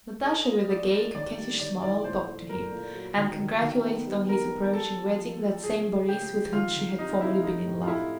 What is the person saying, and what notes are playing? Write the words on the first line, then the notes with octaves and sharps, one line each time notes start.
Natasha with a gay, coquettish smile talked to him, and congratulated on his approaching wedding that same Boris with whom she had formerly been in love.
A4 D#5
F4
F4 D5
D4
D#3 D5
G3
D#3 D5
E4 D5
A#2 C5
A3
A3 A#4
A#2
F#3
D#3
D#3
D#3
B3
G3
G3 A#4
G3
G4 A4
F3
F3
F3
C#3 G#4
C#4
C#3 G4
F3
D#3 F4
D#3
C3 D#4
C3 E4
A3 D#4
A2
F4
A3 E4